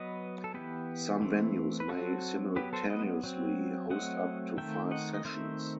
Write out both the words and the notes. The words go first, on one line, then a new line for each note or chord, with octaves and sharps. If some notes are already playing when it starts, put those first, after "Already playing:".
Some venues may simultaneously host up to five sessions.
Already playing: F#3 B3 B4 D#5
A4
E3 B3 G4 B4
E3 A3 C4
B4
F#3 C4 F#4 A4
F#3 B3 G4 B4
A4 C5
B4 D#5
F#3 C4
F#3 A3 C4 D#5 F#5
D#3 A3 C4 E5 G5
D#5 F#5
D#5
D#3 A3 C4 C5 E5